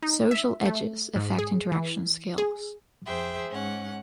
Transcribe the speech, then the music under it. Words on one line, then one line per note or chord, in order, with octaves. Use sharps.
Social Edges affect interaction skills.
D#4
E5
A3
G#2
G#4
E3
G#4
F2 G#4 C5 E5 G5
G#2 C#4 F#5